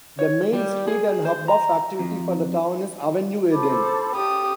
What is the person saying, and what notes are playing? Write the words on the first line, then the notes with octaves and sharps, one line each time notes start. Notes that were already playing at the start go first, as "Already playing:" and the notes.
The main street and hub of activity for the town is "Avenue Eden".
C#5
G3
G#4
C5
A#5
F2
A4 C5 B5 D6
C#4 G4 A4 D#6